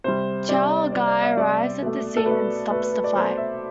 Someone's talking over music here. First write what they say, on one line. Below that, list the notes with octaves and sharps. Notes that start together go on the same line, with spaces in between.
Chao Gai arrives at the scene and stops the fight.
C3 G3 C5
C3 G3 D5
C3 G3 D5
D5
E5
C3 G3 D5
B2 A3
A4
B2 B4
A3
B2 A3 B4
B4
B4
D5
B2 A3 C5
E5